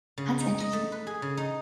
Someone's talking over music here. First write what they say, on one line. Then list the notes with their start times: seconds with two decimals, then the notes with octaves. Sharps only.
that's interesting.
0.18 C#3
0.40 D#4
0.60 D#5
0.73 A3
0.92 B4
1.07 G#4
1.22 C#3
1.37 D#4